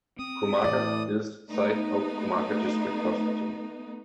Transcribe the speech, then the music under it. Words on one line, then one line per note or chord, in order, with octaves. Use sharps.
Kumaka is site of Kumaka District Hospital.
C4 D#6
A2 E3 D5
A3 B3 D#4